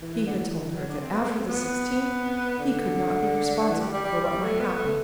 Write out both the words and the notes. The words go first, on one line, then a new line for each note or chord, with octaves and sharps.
He had told her that after the sixteenth he could not be responsible for what might happen.
E3
E3
D3
E3
F#3
D4
C4
B3
C4
A3
C4
B3
D3
E3
G3
G3
G3
G3
A3
B3
A3